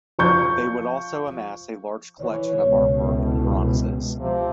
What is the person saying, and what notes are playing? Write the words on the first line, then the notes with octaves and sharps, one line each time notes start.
They would also amass a large collection of artwork and bronzes.
F3 C#6 G6
E3 C#5
C#2 B2
A2
C3 F3